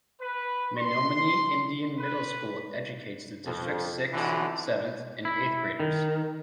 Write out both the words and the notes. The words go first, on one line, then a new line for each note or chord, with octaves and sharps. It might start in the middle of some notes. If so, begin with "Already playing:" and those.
Menominee Indian Middle School educates the District's sixth, seventh, and eighth graders.
B4
C6
B4
F2
B1 F2 B2 D3 E3
E4
D#3